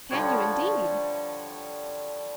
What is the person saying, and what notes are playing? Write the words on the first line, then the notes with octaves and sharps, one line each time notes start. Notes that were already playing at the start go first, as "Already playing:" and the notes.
"Can you, indeed!"
D3 F3 G3 C#5